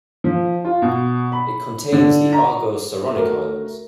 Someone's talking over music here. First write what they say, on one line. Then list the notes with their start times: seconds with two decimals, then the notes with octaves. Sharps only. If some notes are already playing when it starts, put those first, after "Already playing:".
It contains the Argo-Saronic Islands.
0.24 F3
0.65 F4
0.82 B2
1.32 B5
1.93 D3
2.33 A#5
3.15 A3 F#4 A#4